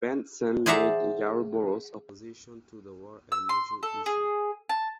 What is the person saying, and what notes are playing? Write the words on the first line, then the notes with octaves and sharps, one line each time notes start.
Bentsen made Yarborough's opposition to the war a major issue.
G#4 C5 D5 E5 F#5 A#5
E6
C6
A4
G#4
A5